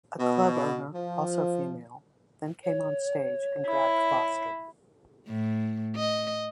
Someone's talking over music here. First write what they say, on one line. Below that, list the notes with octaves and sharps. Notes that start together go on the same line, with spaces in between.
A club owner, also female, then came on stage and grabbed Foster.
B2
F3
C#5
E4
A2
D#5